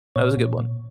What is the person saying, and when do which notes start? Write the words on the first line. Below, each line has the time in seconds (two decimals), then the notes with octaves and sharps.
That was a good one.
0.16 A#2 C#5
0.37 A#2
0.59 A#2